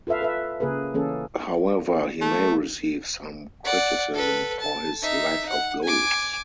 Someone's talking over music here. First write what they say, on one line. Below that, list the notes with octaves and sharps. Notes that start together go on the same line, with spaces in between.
However, he may receive some criticism for his lack of goals.
F4 A4 B4 E5 F5
A4 B4 E5
C#3 A#3 G#4 A#4 B4
E3 A#3 C#4 G#4 A4
A3
D5 F#5
A4 B4
A5
D#4 E5
F#5
G#5 D6